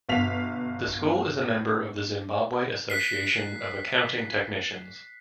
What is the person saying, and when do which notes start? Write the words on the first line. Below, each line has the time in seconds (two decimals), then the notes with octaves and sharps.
The school is a member of the Zimbabwe Association of Accounting Technicians.
0.09 G1 B2 F5 B6 F7
2.90 F#6 B6 C7